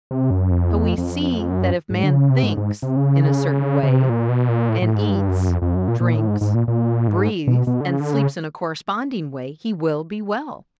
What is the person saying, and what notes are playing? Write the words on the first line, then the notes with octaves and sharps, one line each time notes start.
So we see that if man thinks in a certain way, and eats, drinks, breathes, and sleeps in a corresponding way, he will be well.
C3
F#2
F2
E2
F2
F2
F#2
G#2
D3
C#3
C3
G#2
G#2
C3
C#3
C#3
C3
A#2
B2
A#2
A2
A2
G#2
G2
F#2
F2
F2
F#2
A#2
A#2
A2
G#2
G#2
A#2
A#2
G#2
B2
B2
D3
C#3
D3
C#3